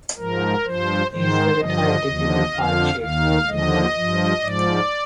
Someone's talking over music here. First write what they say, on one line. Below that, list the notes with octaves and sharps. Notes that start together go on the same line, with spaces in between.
He is the Retired Deputy Fire Chief in Nutley.
G#2 F3 A#4
G2 F3 C5
G#2 D#3 C5
G2 D3 F3 D#5
D#2 D3 F3
F2 D3 F3 F5
D#2 D#3 F5
D#2 D3 F3 D#5
G2 F3
G#2 F3 D5